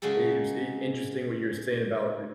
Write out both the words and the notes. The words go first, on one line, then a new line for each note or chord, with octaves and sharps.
It it was i interesting what you were saying about,
C#3 F#3 G#3 G#4 A4